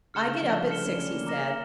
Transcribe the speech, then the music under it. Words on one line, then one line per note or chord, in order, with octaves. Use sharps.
"I get up at six," he said.
C#3 F6 C#7 E7 G7
D3
F3
G3
A3 F6 C#7 E7 G7
C#4
D4
C#4
A#3
A#5 D6 F6 A#6 E7